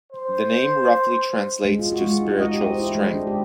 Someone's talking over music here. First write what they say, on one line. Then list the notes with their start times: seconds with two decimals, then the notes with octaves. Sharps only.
The name roughly translates to "spiritual strength".
0.13 C5
1.65 G#3
1.79 F4
1.92 F#4
2.07 G#3
2.21 D#4
2.39 D#5
2.53 G4
2.67 C5
2.80 E4
2.95 G#3
3.14 D4
3.27 G4